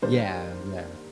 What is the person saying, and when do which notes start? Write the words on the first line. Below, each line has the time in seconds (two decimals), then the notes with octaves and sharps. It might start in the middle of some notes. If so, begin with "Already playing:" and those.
Yeah, yeah.
0.02 D#3 G3 A#3 D4 C5